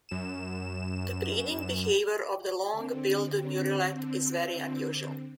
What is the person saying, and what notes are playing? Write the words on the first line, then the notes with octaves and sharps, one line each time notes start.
The breeding behaviour of the long-billed murrelet is very unusual.
F#2 E7
D3 C4